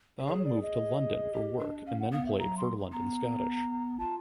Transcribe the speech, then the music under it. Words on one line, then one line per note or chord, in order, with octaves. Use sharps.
Thom moved to London for work and then played for London Scottish.
G4
G#4 C#5
C#5
D5
D#5
G4
D4
C#4 F5
F#5
B3 F5
E5
F#3 A#5
C6
B3 A#5
F4 A5